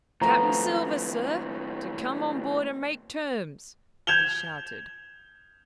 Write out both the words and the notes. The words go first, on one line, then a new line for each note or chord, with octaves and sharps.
"Cap'n Silver, sir, to come on board and make terms," he shouted.
D#2 A2 F3 A3 B3 A#5
G6 G#6 E7 F7 G7